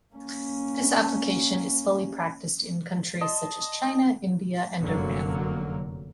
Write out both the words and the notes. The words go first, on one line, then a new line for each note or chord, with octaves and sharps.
This application is fully practiced in countries such as China, India and Iran.
A#3 C#4
D#5 A5 C6
F1 F#2 D3 F#3 A#3